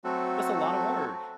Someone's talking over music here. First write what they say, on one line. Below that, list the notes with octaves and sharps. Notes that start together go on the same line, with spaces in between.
That's a lotta work.
F#3 A3 C4 F#4 A4